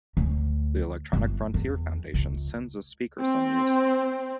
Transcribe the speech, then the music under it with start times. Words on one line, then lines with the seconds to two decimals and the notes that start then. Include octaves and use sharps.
The Electronic Frontier Foundation sends a speaker some years.
0.17 D2
1.13 G1
1.54 E2
2.14 C#2
3.19 C4